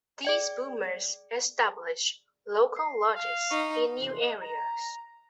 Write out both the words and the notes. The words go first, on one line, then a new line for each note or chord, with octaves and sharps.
These boomers established local lodges in new areas.
G#4 D5 G5
C7
F5
D#4 C#6
F2 C3 E3 C6
D#5 F#5
A#5